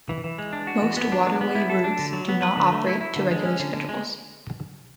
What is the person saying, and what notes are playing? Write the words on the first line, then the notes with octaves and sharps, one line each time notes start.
Most waterway routes do not operate to regular schedules.
E3
E3
G#3
D4
F#4
E3
B3
D4
B3
B3
E4
A4
D4
D3
F#3
B3
B4
D3
A3
E4
E4
D3
G#3
C#4
D3
D3
G#3